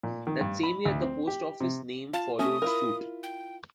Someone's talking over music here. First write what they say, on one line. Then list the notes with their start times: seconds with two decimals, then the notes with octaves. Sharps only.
That same year, the post office name followed suit.
0.03 A#2
0.27 D#3
0.41 G2
0.63 B5
0.86 D2
1.02 C4
1.27 G4
1.60 C3
2.13 F4 A5
2.39 A3 C#4 E5 D#6
2.62 E4 F4 A#4
3.23 G5